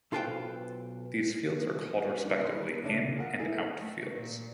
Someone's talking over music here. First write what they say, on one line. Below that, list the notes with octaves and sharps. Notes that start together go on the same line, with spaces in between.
These fields are called respectively "in" and "out" fields.
B1 F4 A4 B4 C5 G5
G3 A#3 D4 F#4
G3 D#5 C6
C#2 A3 A#3 D4 C#5 A5
F4 G#4 A#4 F#5
A#3 D#4 E4 G#4 A4
A3
A#2